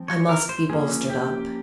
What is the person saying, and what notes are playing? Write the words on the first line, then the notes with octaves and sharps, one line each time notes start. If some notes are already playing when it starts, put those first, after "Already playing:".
I must be bolstered up.
Already playing: F3 C4
C#5
A#4
C5
F3 A#3 C#4 G#4
G4